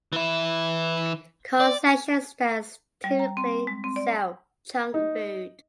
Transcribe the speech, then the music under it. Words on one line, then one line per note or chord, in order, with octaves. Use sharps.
Concession stands typically sell junk food.
E3 E4
D5
G3
A#5
C4
G#3
C4
D5
D#4